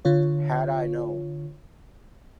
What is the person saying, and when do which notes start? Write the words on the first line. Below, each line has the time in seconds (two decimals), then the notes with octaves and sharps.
Had I known!
0.05 D3 F4 C#5